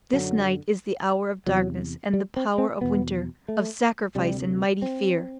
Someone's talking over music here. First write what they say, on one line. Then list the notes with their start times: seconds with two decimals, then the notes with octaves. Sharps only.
This night is the hour of darkness and the power of winter, of sacrifice and mighty fear.
0.13 F#2 D3 F#3
1.47 E2 C3 F#3
2.13 G3
2.36 C4
2.58 C4
2.81 E2 B2 B3
3.48 A3
4.15 D2 C3 G3
4.82 C4